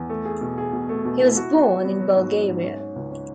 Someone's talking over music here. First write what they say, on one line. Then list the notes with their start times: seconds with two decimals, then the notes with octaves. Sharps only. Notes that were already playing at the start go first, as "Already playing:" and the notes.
He was born in Bulgaria.
Already playing: E2
0.10 A3
0.25 G#4
0.41 B2
0.58 G#4
0.73 B2
0.89 A3
1.05 B2
1.21 E4
1.37 F#4
1.53 B3
1.68 F#3
1.84 B3
2.00 F#3
2.16 G#2
2.32 F#4
2.48 G#2
2.64 C#4
2.79 C#4
2.96 C#2
3.11 C#4